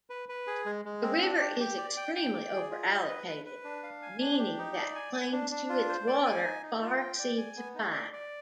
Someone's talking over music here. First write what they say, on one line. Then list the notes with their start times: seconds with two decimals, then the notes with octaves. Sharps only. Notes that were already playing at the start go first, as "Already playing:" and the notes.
The river is extremely over-allocated, meaning that claims to its water far exceed supply.
0.10 B4
0.29 B4
0.47 G#4
0.66 G#3
0.85 G#3
1.03 C4
1.22 D4
1.41 G4
1.60 G4
1.78 D5
1.97 G5
2.16 G5
2.34 D5
2.53 G#4
2.71 F4
2.89 D#5
3.09 B4
3.27 B4
3.46 B4
3.64 D4
3.83 F5
4.02 G#5
4.20 D4
4.39 G4
4.58 D#4
4.76 D5
4.95 G#5
5.14 G#5
5.32 D4
5.51 D4
5.69 F4
5.89 C5
6.07 D5
6.26 G#5
6.44 D#4
6.63 D#4
6.82 F4
7.00 G5
7.19 D5
7.38 G#5
7.57 B3
7.75 D#4
7.94 D5
8.13 D5